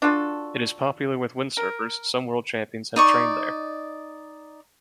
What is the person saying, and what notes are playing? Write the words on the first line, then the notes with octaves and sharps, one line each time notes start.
It is popular with windsurfers; some world champions have trained there.
D4 F4 F#4 A4
A#4
D#4 D5 C#6